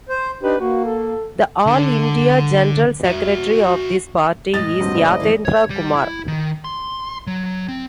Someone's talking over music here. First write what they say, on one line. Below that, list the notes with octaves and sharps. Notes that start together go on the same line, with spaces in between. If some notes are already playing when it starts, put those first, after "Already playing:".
The all India general secretary of this party is Yatendra Kumar.
C5
D4 D#4 G4 B4
A#3 F#4
A4
D3
F#4 E5
A2 G#3 D#5 A6
G2 F#3 C4
F#1 D5 E5
G#2 E3 A#3
C#5
G3
E4
D#3
C6
F#3
C4